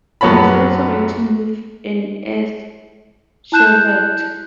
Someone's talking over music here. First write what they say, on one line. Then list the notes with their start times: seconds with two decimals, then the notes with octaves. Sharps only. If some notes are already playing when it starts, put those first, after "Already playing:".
It is also written with an "S", Sheveret.
0.21 A#1 F#2 B3 C#5 A5 B5
3.52 E4 A5 F#6 G6 E7